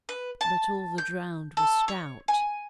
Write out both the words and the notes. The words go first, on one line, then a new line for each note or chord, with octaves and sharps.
But all the drowned were stout.
B4
A5
G6
A4
C#5
G#5